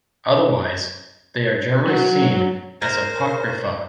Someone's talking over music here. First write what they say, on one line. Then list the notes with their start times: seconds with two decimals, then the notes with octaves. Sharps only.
Otherwise, they are generally seen as 'apocrypha'.
1.87 F#3 F#4
2.82 A#4 C5